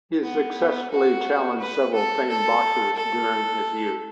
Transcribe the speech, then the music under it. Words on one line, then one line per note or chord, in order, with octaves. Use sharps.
He successfully challenged several famed boxers during his youth.
B3
B3
F#4
B4
A4
A4
A4